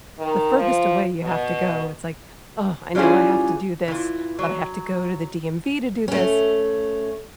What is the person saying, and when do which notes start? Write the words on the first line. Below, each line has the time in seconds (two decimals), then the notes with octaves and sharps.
the furthest away you have to go, it's like, "Ugh, I know I have to do this, but I have to go to the DMV to do this,
0.19 D#3
0.58 F3
1.23 B2
2.95 E3 G3 C#4 F4 G#4
3.88 E3 F4
4.39 F#3
6.08 A3 C#4